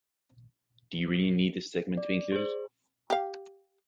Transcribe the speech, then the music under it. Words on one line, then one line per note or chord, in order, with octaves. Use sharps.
Do you really need this segment to be included?
D5
G#4 C5
G4 F5